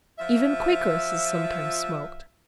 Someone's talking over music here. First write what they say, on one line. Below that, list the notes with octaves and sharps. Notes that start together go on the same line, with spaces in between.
Even Quakeresses sometimes smoked.
F3 F4 E5